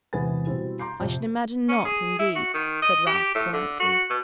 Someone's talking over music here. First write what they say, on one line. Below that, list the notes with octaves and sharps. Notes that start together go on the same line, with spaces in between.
'I should imagine not, indeed!' said Ralph, quietly.
E1 C3 E3 B3 G#5 A6
B2 G3 C4 E4
A#5 C6 D6 G6 C7
F2 C3
C#4
G#4
E4
F#4
D#3
D#5
G4
A2
D3
F#4
B2